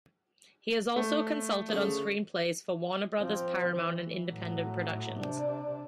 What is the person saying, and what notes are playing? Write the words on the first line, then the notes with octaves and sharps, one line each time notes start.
He has also consulted on screenplays for Warner Brothers, Paramount, and independent productions.
A3
D2 C#3
F3 C4
E3
A2 F#3
C3 D4